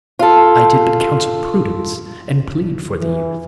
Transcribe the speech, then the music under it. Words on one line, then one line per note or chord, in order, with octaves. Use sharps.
"I did but counsel prudence, and plead for the youth."
F4 A4
E3